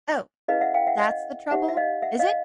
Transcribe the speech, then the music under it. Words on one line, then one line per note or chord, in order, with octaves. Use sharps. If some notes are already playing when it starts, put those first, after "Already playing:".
Oh, that's the trouble, is it?
C#4 E4 G#4 B4 D#5 F5
E5 F#5
F5 G5
E5 F#5
D#5 F5
D#4 G4 C5 E5 F#5
E5
D#5 F5
E5 F#5
D#5 F5